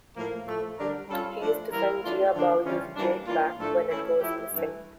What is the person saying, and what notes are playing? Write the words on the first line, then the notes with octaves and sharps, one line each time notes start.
He is to send Jia Baoyu's jade back when it goes missing.
A2 F3 A#3
A2 F3 A3
D3 G3 D4 G4 A#4
G3 C#4 F4 A4
F3 A3 D4
E3 G3 A#3 E4 A#4
E3 A3 D4 F4
D3 F3 A#3 D4
C#3 E3 G3 C#4 F4
E3 G3 A#3 D4
E3 A#3 D4 F4
A2 F3 A3 D4 A4
E3 A3 C#4 E4
F3 A3 E4 G4
G2 E3 A3